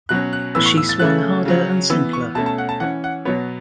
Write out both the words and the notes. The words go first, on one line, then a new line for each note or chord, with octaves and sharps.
She swung harder and simpler.
B2 F#3 C#4 F#6
F#6
A2 E3 B3 E6
C#6
E6
A6
C#3 A3 C#4 F#6
C#3 F#3 C#4
E3 B3 E6
C#6
B2 A3 C#4 A5
A5
F#5
A5
E3 C#4 F#5
F#5
B2 F#3 B3 C#5